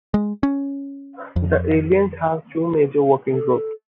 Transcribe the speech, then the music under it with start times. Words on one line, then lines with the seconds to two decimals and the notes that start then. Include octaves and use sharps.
The Alliance has two major working groups.
0.14 G#3
0.43 C#4
1.36 F2
3.34 A4